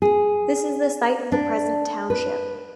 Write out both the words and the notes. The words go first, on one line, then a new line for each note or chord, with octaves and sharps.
This is the site of the present township.
G#4
D4
B4